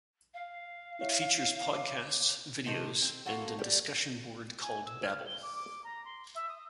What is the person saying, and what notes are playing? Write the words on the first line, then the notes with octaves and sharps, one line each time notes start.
It features podcasts, videos and an discussion board called "babble".
F5
E4 C#5 E5
C#5 D6
C3 D#3 A4 C5
C4
A#3 F4 F#4 A4
G3
G#5
E6
F6
G7
D6
D6
A#5
C6
E5
D#6